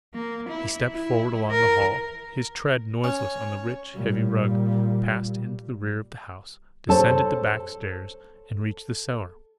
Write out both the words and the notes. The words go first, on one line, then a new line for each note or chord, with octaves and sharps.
He stepped forward along the hall, his tread noiseless on the rich, heavy rug, passed into the rear of the house, descended the back stairs, and reached the cellar.
A#3
E4
E4
A#4
C#4 C#5
A#2 G3
A4 C5 C#5 A5